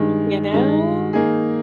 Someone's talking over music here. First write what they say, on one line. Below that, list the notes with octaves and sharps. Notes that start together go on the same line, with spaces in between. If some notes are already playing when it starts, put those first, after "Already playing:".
You know?
Already playing: G2 D#3 G#3
G2 D#3 G#3
D#3 A#3 D#4 G#4